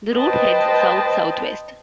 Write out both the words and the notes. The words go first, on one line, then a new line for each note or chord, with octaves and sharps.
The route heads south-south-west.
B4 C5 D#5 G5 A5